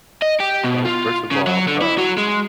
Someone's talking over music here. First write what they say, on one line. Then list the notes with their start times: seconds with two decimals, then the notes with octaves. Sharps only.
Oh, first of all, uh,
0.22 D#5
0.40 G4
0.64 B2
0.86 F4
1.32 C#3
1.47 F#3
1.67 D3
1.81 E4
1.98 F#3
2.17 G#3